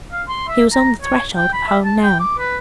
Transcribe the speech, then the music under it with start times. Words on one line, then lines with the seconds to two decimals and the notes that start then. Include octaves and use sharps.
He was on the threshold of home now.
0.12 F5
0.28 C6
0.48 E5
0.72 A#5
1.02 C#5
1.36 G5
1.53 B5
1.68 E5
1.84 A5
2.03 G5
2.20 D6
2.38 B4